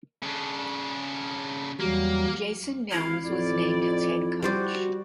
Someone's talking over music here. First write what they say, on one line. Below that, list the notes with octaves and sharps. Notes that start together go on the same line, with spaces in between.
Jason Nelms was named its head coach.
C#3 D4
E2 F#3 G3 A#3
G#1 E4 F5
A1 F2 D5
G3 F#4 C5 D5